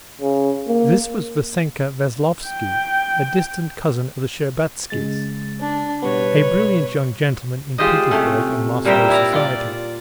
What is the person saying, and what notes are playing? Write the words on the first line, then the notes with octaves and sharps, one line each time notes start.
This was Vassenka Veslovsky, a distant cousin of the Shtcherbatskys, a brilliant young gentleman in Petersburg and Moscow society.
C#3
A#3
G5
C#3 G#3 A6
D4
B2 G3 B3 B4 C#5
G#3 F4 G4 C5 D#5
C3 A3 C#4
A#2 G3 A#4 C5 E5 G5
E4 D5 A#5
F4 D5